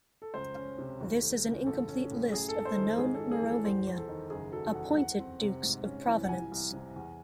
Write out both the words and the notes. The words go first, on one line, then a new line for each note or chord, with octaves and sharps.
This is an incomplete list of the known Merovingian-appointed dukes of Provence.
A4
C#2 C5
C#4
C3
D#2
A3
C#3
A1 A4
C#4
A2
F#2 G#4
A4
F#2
C5
D#3
A4
G#2 G#4
A4
C#4
G#4
E3
A4
E2 C5
E2
A4
D#3
F#1 G#4
F#3 A4
E2 F#5
E2 F#5
C4
C3
G#2
C#4
E3
F#5
C2 G#5
C2
C3
E2